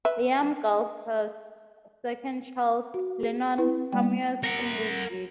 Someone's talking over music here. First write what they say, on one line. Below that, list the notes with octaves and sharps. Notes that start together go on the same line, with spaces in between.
Liam Gallagher's second child, Lennon, cameos in this video.
B4 E5
F#4
G#4
C4 E4 B4
G3 A#3 G5
A#4 F#5